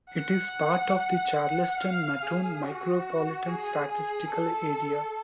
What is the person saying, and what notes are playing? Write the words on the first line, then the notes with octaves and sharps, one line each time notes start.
It is part of the Charleston-Mattoon Micropolitan Statistical Area.
F#5
F5
G#4
F#4
G#4
G#4
A4